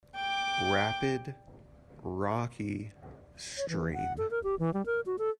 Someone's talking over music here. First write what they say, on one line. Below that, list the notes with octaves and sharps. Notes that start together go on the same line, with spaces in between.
Rapid Rocky Stream.
G5 D6
C#5
E3
F#5
A4
A#4
G4
E3
G3
A#4
F#4
A4